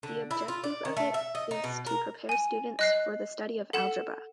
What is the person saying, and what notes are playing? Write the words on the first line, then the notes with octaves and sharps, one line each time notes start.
The objective of it is to prepare students for the study of algebra.
D3
E4
F4
D5
D#3
A3
E5
D#5
D#4
B2
A#4
G#5 D#7
D#5 F#6 C7
A4 F#5 E7